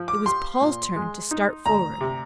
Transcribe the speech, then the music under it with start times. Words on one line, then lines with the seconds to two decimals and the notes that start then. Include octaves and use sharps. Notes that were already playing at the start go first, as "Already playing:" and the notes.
It was Paul's turn to start forward.
Already playing: F3
0.08 D6
0.26 G4 C6
0.61 A#2
0.96 G#3
1.31 D#4
1.66 D2 A#5
2.01 C3